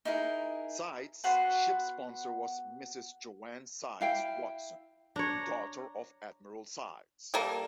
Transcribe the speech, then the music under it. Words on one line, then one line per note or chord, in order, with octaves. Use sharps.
"Sides" ship sponsor was Mrs. Joanne Sides Watson, daughter of Admiral Sides.
D#4 E4 G#4 A#4
B3 F#4 F#5 C6
E4 F5 G5
D4 C#5 A#5
G3 A#3 A4 A#4